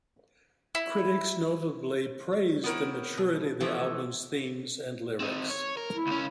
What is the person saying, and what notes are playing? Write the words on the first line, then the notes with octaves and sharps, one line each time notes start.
Critics notably praised the maturity of the album's themes and lyrics.
E4
B3 C4 E4 A#4 C#5
B2
E3 F3 A3 B3 E4
C4 D#4
C#5
A#4
E4
C#2 C#4